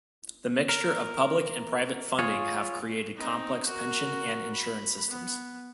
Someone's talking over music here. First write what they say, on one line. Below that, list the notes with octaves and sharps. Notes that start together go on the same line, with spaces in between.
The mixture of public and private funding have created complex pension and insurance systems.
A#4
F4 G#4 C#5
C4 D#4
F#4 A#4
B5
B3